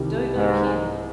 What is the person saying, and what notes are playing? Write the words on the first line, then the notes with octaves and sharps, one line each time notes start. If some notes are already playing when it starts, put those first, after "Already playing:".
Don't know him.
Already playing: C2 C3 D#3 G3
G#2